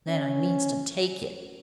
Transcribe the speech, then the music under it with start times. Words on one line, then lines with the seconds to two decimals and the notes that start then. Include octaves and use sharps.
"Then I means to take it."
0.09 C#4